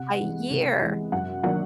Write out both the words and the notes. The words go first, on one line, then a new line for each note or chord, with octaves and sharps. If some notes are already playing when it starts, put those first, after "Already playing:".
A year.
Already playing: C3 F#5
E3 G#3
C3
E3 G#3
F#2 F#5
D#3 F#3 A#3 D4 F#5